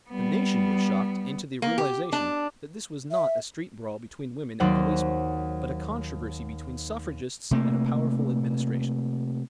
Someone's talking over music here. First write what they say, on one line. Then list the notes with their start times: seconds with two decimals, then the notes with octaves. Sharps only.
The nation was shocked into the realization that this was not a street brawl between women and policemen, but a controversy between suffragists and a powerful Administration.
0.10 G3 B3
1.62 A#3
1.78 G4
2.13 D4
3.11 E5
4.60 D#2 F#3 C5 D5 F#5
7.51 C3 A3 A#3